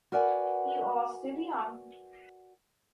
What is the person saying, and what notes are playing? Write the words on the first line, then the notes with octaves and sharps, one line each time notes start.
You are still young.
F#4 A#4 B4 D5 F#5 G#5